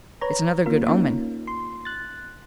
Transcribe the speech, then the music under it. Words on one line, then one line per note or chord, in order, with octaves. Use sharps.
It's another good omen.
B4 C#5 A#5
A#3 F4 A#4
A#3 C#4 D#4 F4
C6
F#6 A6